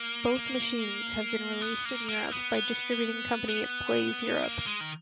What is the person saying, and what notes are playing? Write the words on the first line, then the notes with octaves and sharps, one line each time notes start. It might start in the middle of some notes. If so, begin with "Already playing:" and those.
Both machines have been released in Europe by distributing company Blaze Europe.
Already playing: A#3
B3
A#3
A#3
B3
B3
B3
A#3
G#3
D#3